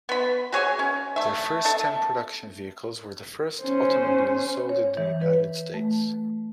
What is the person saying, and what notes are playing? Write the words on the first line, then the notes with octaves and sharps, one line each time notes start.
Their first ten production vehicles were the first automobiles sold in the United States.
B3 B5
F#4 G#4 C#5 G#5
C#4
A3 E5
A4 E5 A5
C#4 C5
C#5
E3
B4
A3